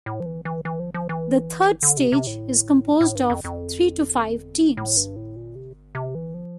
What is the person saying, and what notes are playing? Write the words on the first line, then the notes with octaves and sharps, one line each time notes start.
The third stage is composed of three to five teams.
A2
F3
E3
E3
E3
F3
F3
E3
D3
C3
C3
A2
A2
G2
F2
F2
A2
G2
A2
A#2
C3
C3
E3
F3